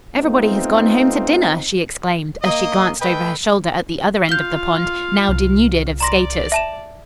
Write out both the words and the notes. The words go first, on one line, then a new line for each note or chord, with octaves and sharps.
"Everybody has gone home to dinner!" she exclaimed, as she glanced over her shoulder at the other end of the pond, now denuded of skaters.
A3 B3 C4 D#4 F4
A#3 D#5
A3 A4 B4 D#5 G5
F4 F5 G6 G7
C2
D5 A#5 C6 A#6
E5 A5 E7